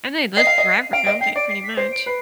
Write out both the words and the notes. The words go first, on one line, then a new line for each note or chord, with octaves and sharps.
And they live forever, don't they, pretty much?
D#5 C7
F5
D#5
F5 D7
D#5
G5 C7
D5 D7
C7
B6
C5 C7
D7
B4 C7